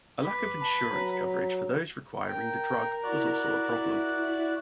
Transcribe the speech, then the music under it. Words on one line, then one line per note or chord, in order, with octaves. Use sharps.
A lack of insurance coverage for those requiring the drug was also a problem.
B4 B5 D6
A5 B5
F#3 A#5
A#4 G5
E4 F#4 D5 F#6